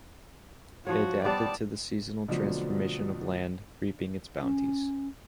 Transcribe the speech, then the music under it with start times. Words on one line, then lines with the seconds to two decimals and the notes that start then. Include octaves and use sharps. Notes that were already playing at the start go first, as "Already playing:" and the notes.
They adapted to the seasonal transformation of land, reaping its bounties.
0.87 F3 F#4 C#5
1.25 G3 B3 C5 D5 A5
2.28 B2 D3 F3 F#3 A3 C4
4.41 C#4